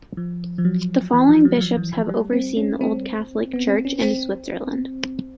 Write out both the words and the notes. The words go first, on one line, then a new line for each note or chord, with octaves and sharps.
The following bishops have overseen the Old Catholic Church in Switzerland.
F3
F3
F#3
E3
F3
F#3
F#3
F3
E3
F3
G3
C4
C#4
C4
B3
C4
C#4
C4